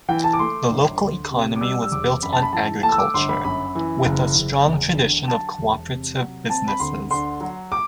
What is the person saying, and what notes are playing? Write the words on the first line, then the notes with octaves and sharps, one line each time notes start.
The local economy was built on agriculture, with a strong tradition of cooperative businesses.
E3 G5
A5
D6
A3 C6
G1
D2
C3
D6
G3 E6
E6
E1 D6
F#2 B5
A5
B5
E3 A5
A3 A5
E6
D6
G1 C6
B5
F#2 B5
E3
F#1
F#1
E2
D3
F#3 A5
E1
C3
F#3
C4 A5
B5
D2 C6
D3 C6
F#3
D6